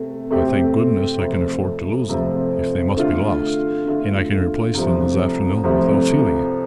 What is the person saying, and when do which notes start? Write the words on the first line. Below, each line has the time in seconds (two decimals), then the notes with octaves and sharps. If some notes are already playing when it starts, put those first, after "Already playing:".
I thank goodness I can afford to lose them, if they must be lost, and I can replace them this afternoon without feeling it.
Already playing: C3 A3
0.30 C3 A3 C4 G4
1.19 F2 C3 F3 A3
2.08 F2 C3 F3 A3
2.97 D3 A3 F4
3.86 D3 A3 F4
4.75 C2 C3 F3 A3
5.64 C2 C3 F3 A3